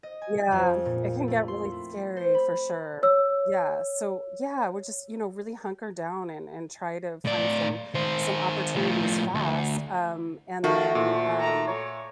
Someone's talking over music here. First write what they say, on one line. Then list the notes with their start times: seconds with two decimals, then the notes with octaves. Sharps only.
Yeah, it can get really scary for sure. Yeah, so, yeah, we're just, know, really hunker down and and try to find some some opportunities fast, um, and then, um,
0.03 D#5
0.22 G#5
0.52 F2
0.86 A#2
1.28 A3
1.48 C6
1.72 E4
2.17 C5
2.34 B5
3.03 C#5 E6
7.25 A2 D5
7.94 D#3 C5
8.75 A2 F3
9.35 D2
10.64 D#3 A3 F#4 F5 A5
10.95 A#2 E4 A4 C5
11.37 A4 A#5
11.67 C#5